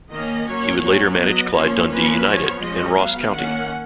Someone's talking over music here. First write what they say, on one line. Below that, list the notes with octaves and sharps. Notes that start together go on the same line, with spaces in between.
He would later manage Clyde, Dundee United and Ross County.
D#3 A#3 C#4 D#5
F#3 A#3 C#4 C#5
F#3 C#4 C#5
F#3 B3 D#5
F3 A#3 C#4 C#5
F3 A#3 C#4 B4
F3 B3 C#5
F3 G#3 C#4 D#5
F#3 B3 F5
D#3 A#3 C#4 F#5